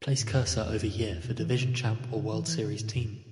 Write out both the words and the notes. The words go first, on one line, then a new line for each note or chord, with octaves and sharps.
Place cursor over year for division champ or World Series team.
A2
F#2
E2
E2
F#2
F#2
E2
B2
E3
C#3
A2
B2
A2
B2
C#3
E3
E3
C#3
A2
F#2